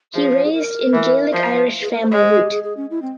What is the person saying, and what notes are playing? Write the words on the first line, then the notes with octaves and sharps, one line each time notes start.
He raised in Gaelic Irish family root.
F3 G#4
C5
G#4
A#4
E3
F3
G#4
A#4
C5
G#3 C#5
C5
G#4
G4
G#4
G#4
C#4
E4
C4